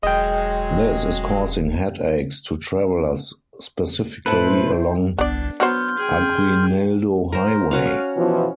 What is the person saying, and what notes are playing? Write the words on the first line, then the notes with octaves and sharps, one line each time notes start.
This is causing headaches to travelers specifically along Aguinaldo Highway.
E1 F#3 G#3 D#5 G5
A2 E4 A4 B4 C5
G1 C2 B3 D4 D5
F#3 B3 F#4 C5 C6 F6 G6
G#4 G5
A#4 C5
C#4 F#4 F5
B2 E3 F3